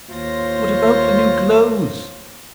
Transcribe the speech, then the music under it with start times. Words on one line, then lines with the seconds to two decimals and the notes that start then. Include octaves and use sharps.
"What about the new clothes?"
0.11 D#2 F4 C5 C#5 A#6